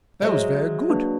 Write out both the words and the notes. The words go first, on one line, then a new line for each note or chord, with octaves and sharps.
That was very good!
F#3 G#3 G#4 C5 E5
A#3 D4 F#4 B4